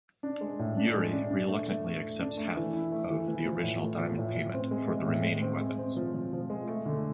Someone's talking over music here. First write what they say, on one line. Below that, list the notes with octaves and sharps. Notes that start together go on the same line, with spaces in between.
Yuri reluctantly accepts half of the original diamond payment for the remaining weapons.
D4
G#3
A2
D4
G#3
D4
D4
A3
A3
A3
A3
D4
A3
E3
E4
A3
E3
E3
F3
A2
A3
F3
A2
A2
C4
G#3
G#3
A2
G#3
C4
G#3
C4
F3
F3
F3
G#3
A3
D3